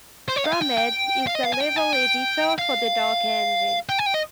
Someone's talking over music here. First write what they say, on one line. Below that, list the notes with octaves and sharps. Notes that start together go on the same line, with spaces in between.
DromEd is the level editor for the Dark Engine.
C5
C#5
F5
G#5
G5
G5
F5
D#5
F5
G#5
G5
G#5
G5
F5
G5
G#5
G5
D#5